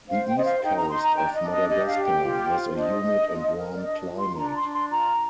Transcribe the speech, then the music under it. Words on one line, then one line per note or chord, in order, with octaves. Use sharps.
The east coast of Madagascar has a humid and warm climate.
C5 F5
G5
C5 D#5
F5
D#4 G5
A#5
D#4 C6
A#5
D4 G5
D#5
D4
D#5
G4 D#5
F5
G4
G5
F4
C5
D4 D#5
D4
F4
A#4
D5
D4 D#5
F4
C6
D4 A#5
A#5
C6
D4
C6
F4 A#5